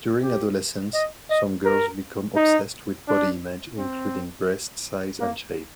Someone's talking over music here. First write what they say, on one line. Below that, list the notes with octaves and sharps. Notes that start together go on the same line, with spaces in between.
During adolescence, some girls become obsessed with body image including breast size and shape.
G4
D#5
D#5
A#4
D#4
D4
C4
A#3